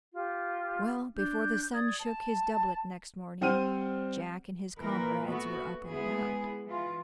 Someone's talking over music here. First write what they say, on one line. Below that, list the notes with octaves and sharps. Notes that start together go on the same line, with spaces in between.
Well, before the sun shook his doublet next morning, Jack and his comrades were up and about.
F4 G4
D4 G6
D5 D#6 G#6
A5
G3 C4 C5 F#5 F6 D#7
A#2 E3 A#4 B4
A3 B3 F#4
G#3 B3 E4 G#4
E3 F4